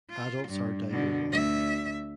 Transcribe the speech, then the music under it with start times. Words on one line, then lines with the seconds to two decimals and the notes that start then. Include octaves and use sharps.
Adults are diurnal.
0.10 F4
0.48 G2
0.91 B2 D3
1.29 D2 E5